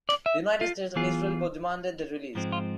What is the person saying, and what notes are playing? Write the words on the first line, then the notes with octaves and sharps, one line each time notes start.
The United States and Israel both demanded their release.
D5
E5
F4
E3 B3 F4 G#4
G#2 F3 G#3 C4
F4